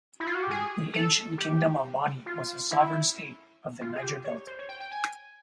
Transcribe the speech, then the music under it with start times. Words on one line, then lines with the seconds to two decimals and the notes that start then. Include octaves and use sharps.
The Ancient Kingdom of Bonny was a sovereign state of the Niger-Delta.
0.20 E4
0.27 F4
0.35 F#4
0.43 G4
0.51 G#4
0.94 A4
1.38 G4
2.26 F4
2.71 E4
3.81 F4
3.96 G#4
4.03 G4
4.24 C#5
4.47 C5
4.59 C#5
4.69 G5
4.80 G5
4.91 G#5